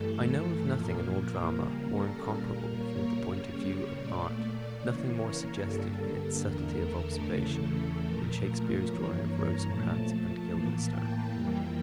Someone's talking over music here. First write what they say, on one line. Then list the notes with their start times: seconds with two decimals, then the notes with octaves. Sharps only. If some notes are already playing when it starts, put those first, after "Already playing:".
I know of nothing in all drama more incomparable from the point of view of art, nothing more suggestive in its subtlety of observation, than Shakespeare's drawing of Rosencrantz and Guildenstern.
Already playing: G2 E3 A3 A4
0.70 A#2 F3 A#3 A#4
1.52 C#3 G3 A#3
1.93 A4
2.33 A#2 G3 A#3 A#4
2.75 C#5
3.16 C#3 G3 A#3
3.97 A#2 A3 D5
4.78 C#3 E3 A#3 C#5
5.19 A#4
5.60 G2 D3 G3 A#3 A4
6.42 E2 D3 A3 A#4
6.83 A4
7.24 E2 C#3 E3 A3
8.04 A#2 F3 A3 A#4
8.86 G2 E3 A#3 C#5
9.28 A#5
9.68 A#2 F3 A3 A5
10.09 A5
10.50 A2 E3 A#3 A5
10.91 G5
11.32 F2 E3 G3 A#3